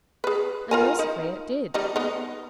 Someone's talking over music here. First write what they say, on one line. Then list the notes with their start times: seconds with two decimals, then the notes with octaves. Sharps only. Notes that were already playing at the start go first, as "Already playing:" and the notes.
And mercifully it did.
0.24 G#4 B4
0.71 F4 A#4 G#5
0.99 D#4
1.74 G3 D#4
1.96 B3 D#4